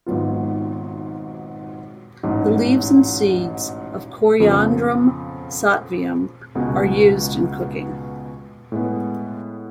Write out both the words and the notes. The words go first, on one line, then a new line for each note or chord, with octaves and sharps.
The leaves and seeds of "Coriandrum sativum" are used in cooking.
G#1 G#2 F#3 B3 F4
A1 G#2 F#3
F2 C#3 F3 B3
C#2 B2 G#3 B3 F#4
A2 G#3 B3